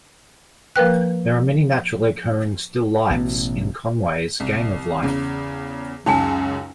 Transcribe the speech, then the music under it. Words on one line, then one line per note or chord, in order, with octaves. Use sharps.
There are many naturally occurring still lifes in Conway's Game of Life.
F3 A#3 A#4 B4 G5 F#6
A1 B2
C2
E2 C#3
C#2 F#2 D#4 G#5